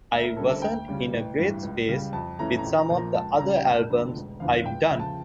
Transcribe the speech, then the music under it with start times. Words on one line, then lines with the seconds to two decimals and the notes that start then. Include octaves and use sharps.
I wasn't in a great space with some of the other albums I've done.
0.12 D2 E5
0.24 A#4
0.37 D3 G3 C#4 A4
0.50 A4
0.62 D2 G5
0.88 C#3 G3 C#4
1.13 A1
1.38 G2 E3
1.63 C#2
1.88 C#3 G3
2.13 F2 A5
2.39 E3 A3 C#4 A#5
2.59 A#5
2.63 A#1
2.78 A#5
2.89 A#2 F3 A#3
2.97 A#5
3.14 C#2 A5
3.39 C#3 G3 C#4 A#5
3.56 G5
3.64 F1 A5
3.90 F2 D3
4.16 E1
4.40 E2 D3 F3 F5
4.65 C#2 G5
4.91 C#3 F3
4.99 A5